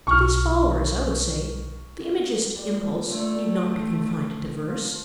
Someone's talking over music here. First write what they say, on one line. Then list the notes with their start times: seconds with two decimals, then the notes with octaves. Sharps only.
To these followers I would say: the Imagist impulse need not be confined to verse.
0.07 B1 C#6 F6
2.55 A#2 G3
3.11 D3 A3 E4 C5
3.54 A4 C5
4.68 F4